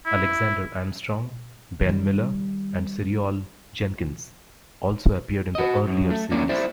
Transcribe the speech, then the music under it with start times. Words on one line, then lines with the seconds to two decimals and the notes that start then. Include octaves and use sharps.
Alexander Armstrong, Ben Miller and Siriol Jenkins also appeared in the earlier series.
0.06 E4
1.85 D#3 G3
5.55 F#4 D#5
5.87 F#2
6.10 A3
6.31 F2 A#3 C#4 F4 D5
6.49 E4 C5 D5 E5